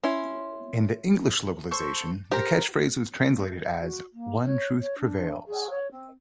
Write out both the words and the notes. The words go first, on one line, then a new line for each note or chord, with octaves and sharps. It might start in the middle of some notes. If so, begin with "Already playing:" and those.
In the English localization, the catch phrase was translated as "One Truth Prevails".
C#4 E4 C6
A4 C5 C#6
G4 A#4 C5 A#5
F#4
A#3
C#5
C#5
D4
G#4
C#5
C4